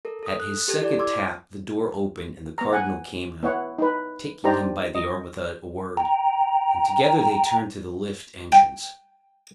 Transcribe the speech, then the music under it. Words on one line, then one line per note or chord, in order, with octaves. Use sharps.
At his second tap the door opened and the Cardinal came out, taking him by the arm without a word; and together they turned to the lift entrance.
A4 A#4
A4 D#6
F#6
G4 A4 G#6
E4 D5
C6 D6 E6 G#6
B3 A#5
F#5 G#5
B3 E4 C#5 F#5
D#4 B4
D4 D#4 G4 C5 D5 A#5
D#5
G5 A#5
G5